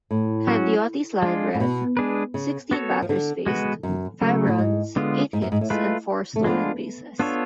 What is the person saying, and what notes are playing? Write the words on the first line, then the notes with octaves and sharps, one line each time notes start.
Candiotti's line read: sixteen batters faced, five runs, eight hits, and four stolen bases.
A2
F#3 C#4 F#4
G#3 D4 F4
A2
B2
G#3 D4 G#4 B4
C#3
B3 F#4 A4 C#5
F3
D3
G#3 B3 F#4 B4
F#2
C#3 F#3 A3
A2
G#2
D3 G#3 B3 F4
G#2
F#2
G#2
A2
G#3 A3 F4 B4
A3
G#3 B3 D4 F4
B3 D4 F4 A4 C#5